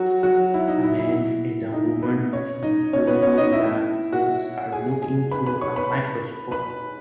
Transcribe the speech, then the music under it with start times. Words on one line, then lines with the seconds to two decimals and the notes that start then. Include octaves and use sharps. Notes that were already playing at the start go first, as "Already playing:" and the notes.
A man and a woman in blue lab coats are looking through a microscope.
Already playing: F#3 F#4
0.23 F#3 F#4
0.54 E4
0.68 D#4
0.83 E4
0.99 E4
1.73 D#4
2.03 B3 B4
2.33 C#4 C#5
2.63 D#4 D#5
2.93 C#4 C#5
3.07 B3 B4
3.22 C#4 C#5
3.37 D#4 D#5
3.53 E4 E5
4.12 F#4 F#5
4.72 G#4 G#5
5.02 G#4 G#5
5.31 B4 B5
5.46 B4 B5
5.61 C#5 C#6
5.76 B4 B5
5.91 B4 B5
6.51 B4 B5